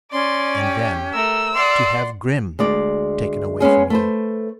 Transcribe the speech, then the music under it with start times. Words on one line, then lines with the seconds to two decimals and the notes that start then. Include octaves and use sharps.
And then--to have Grimm taken away from you!
0.12 C#4 D5 C6
0.60 G4
1.14 A3 A#4 E6
1.54 D5 F#5 C6
2.59 D2 G#3 D5
3.60 G#3 B3 C#4 G#4
3.90 A3 B4 C5